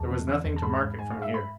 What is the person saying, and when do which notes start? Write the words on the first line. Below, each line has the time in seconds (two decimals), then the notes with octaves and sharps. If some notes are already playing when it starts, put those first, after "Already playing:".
There was nothing to mark it from here.
Already playing: E2 A5
0.09 C3
0.27 E3
0.45 E2
0.56 A5
0.63 G#2 B5
0.81 G#2
0.98 G#2 G#5
1.11 F5
1.16 G#2
1.22 E5
1.34 B5